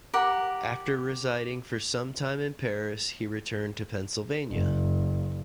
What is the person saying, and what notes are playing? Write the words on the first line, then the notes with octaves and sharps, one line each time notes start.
After residing for some time in Paris, he returned to Pennsylvania.
G4 A#4 F#5
F#1